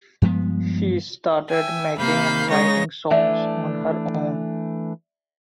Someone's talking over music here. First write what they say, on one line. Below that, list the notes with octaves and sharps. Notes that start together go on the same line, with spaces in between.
She started making and writing songs on her own.
G2 F3 G#3 B3
E5 G5 G#5
C3 A#3 F5 B5 G6
C#3 G#3 D#4 C#5 A#6
E3 A3 D4 D5 E5